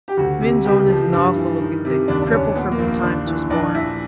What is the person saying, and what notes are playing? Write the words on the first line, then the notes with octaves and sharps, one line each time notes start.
Min's own is an awful-looking thing--a cripple from the time 'twas born.
G4
D2 F#4
C3
C#2 G4
F3
G2
E3
D#3
C3
D#2 D4
D4
D#2 C#4
A#2 B3
A#3
A#1
A#3
D#2 D4
E3
A#1 D4
A#1 E4